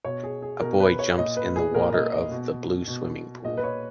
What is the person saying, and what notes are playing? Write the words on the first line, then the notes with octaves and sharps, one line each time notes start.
A boy jumps in the water of the blue swimming pool.
B2 C#5
G#4
G#4
B2 A#4
B4
C#5
A#2 D#5
B4
G#4
A#2 A#4
D#5
D#5
B2
B2
A#2 D#5
B4
C#5